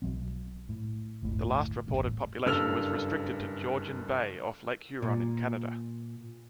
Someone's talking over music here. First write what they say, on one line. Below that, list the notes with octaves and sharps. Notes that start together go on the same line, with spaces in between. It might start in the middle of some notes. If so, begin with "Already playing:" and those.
The last reported population was restricted to Georgian Bay off Lake Huron in Canada.
B1 F#3 C4
A2
G1 D2 A2
E1 A1 E2 G2
F#1 G2 A4 E6 F6 F7
A#2